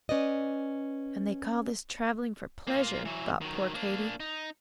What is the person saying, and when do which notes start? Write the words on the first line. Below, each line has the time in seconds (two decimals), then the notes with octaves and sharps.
"And they call this travelling for pleasure!" thought poor Katy.
0.09 C#4 B4 D5 D#5
2.67 A#3 F4
3.05 E3 F#3
3.41 D#3 F#3
3.74 A#3 D4
4.20 D#4